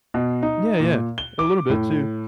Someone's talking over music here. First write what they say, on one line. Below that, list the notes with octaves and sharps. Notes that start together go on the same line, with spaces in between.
Yeah, yeah. A little bit too.
B2
D#4
A#2
G7
D6
A2